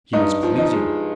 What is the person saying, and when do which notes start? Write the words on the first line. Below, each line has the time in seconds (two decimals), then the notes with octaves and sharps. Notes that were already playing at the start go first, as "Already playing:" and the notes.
He is pleasing.
0.13 G2 D#4
0.43 F3
0.58 D#4
0.73 G#3